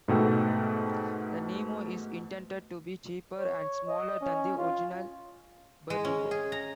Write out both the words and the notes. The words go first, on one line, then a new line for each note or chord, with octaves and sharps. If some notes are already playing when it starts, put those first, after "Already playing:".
The Nemo is intended to be cheaper and smaller than the original Berlingo.
G#2 B2 A3 G5 E6
C#5
D#5
C#4
F4
G#3
C#4
G#4
A#5